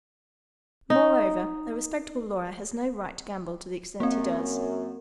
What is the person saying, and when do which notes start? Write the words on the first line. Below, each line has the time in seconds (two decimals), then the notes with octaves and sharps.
Moreover, a respectable lawyer has no right to gamble to the extent he does.
0.90 D#4
4.00 F#2 A#3 C4